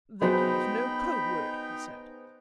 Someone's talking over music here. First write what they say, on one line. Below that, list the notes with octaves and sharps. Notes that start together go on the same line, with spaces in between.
"They gave no code word," he said.
F#3 B3 D#4 G#4 C5 G5 B5